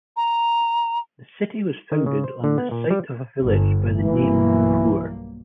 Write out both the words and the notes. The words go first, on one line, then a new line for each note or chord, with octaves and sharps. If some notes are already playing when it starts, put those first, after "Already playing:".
The city was founded on the site of a village by the name "poor".
A#5
D#3
C#3
C5
D3
B3
A#2
G3
G1
B1 G2 E3 A#3